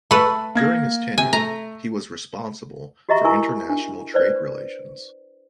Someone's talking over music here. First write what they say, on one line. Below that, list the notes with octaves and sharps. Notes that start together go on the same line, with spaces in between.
During his tenure, he was responsible for international trade relations.
A3 B4 B5 C#6 E6
A#3 G#6 A#6
C3 G#5
A3 A#5
F#4 G4 D#5 E5 A#5 C#6
E4 A#4 G#5 C#6
D4
B4 C5 D5